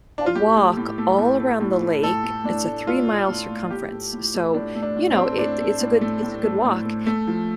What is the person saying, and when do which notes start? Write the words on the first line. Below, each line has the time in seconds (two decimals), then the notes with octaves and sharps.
a walk all around the lake, it's a three-mile circumference, so you know, it it's a good it's a good walk,
0.18 D4
0.26 F4
0.35 A2 G4
0.56 A3
0.77 A2
0.98 A3
1.18 A2
1.40 A3
1.61 A2
1.82 A3
2.03 A2 A4
2.24 A3
2.44 A2 D4
2.66 A3
2.87 A2 F4
3.07 A3
3.29 A2
3.50 A3
3.71 A2 G4
3.92 A3
4.13 A2
4.34 A3
4.54 A2 D4
4.75 A3
4.83 D4
4.96 A2
5.11 C4
5.17 A3
5.38 A2 D4
5.60 A3
5.81 A2
6.01 A3
6.23 A2
6.43 A3
6.65 A2
6.85 A3
7.06 A3
7.27 F3